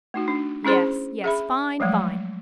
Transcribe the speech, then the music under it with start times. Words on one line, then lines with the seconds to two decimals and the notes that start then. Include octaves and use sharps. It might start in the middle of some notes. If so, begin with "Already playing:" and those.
Yes, yes--fine, fine.
0.14 A3 D#4 F#4
0.28 D4
0.65 C#4 E4 G#4 C5 C6
1.24 G#4 E5 B5
1.80 F3 F#3 G#3 A3